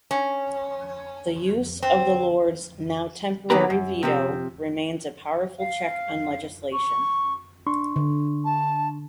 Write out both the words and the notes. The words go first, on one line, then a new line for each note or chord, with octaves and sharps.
The use of the Lords' now temporary veto, remains a powerful check on legislation.
C#4
C4
E2 D#3 F#3 G4 B4 A#5
F#2
C3 F3 C4
F5
C#6
D4 C6 C#6
D3
A5